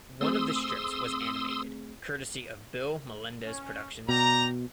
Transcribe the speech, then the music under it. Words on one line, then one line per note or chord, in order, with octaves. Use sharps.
One of the strips was animated, courtesy of Bill Melendez Productions.
A3 C4 G#4 C6 D#6 E6
C#4
B2 D5 G5 A#5